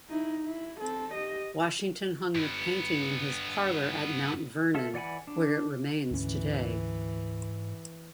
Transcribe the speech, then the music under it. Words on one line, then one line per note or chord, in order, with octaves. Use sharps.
Washington hung the painting in his parlor at Mount Vernon, where it remains today.
D#4 E4
E4
C4 A4
G4 D#5
G2 B3
F4 A4 E5
E3 D5 F#5 G#5 B5
D4
D2 G#2 E3 C#4